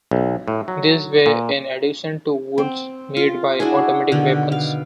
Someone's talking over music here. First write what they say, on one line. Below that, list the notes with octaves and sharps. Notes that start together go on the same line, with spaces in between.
These were in addition to wounds made by automatic weapons.
B1
A2
F#3
A#2
C4
F4
D4 E4 F#4 G#4
B2 D3 D#3
F5